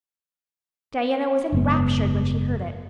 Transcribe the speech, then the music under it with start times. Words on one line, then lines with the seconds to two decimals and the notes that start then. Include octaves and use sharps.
Diana was ENRAPTURED when she heard it.
1.52 F#1 G#2 B3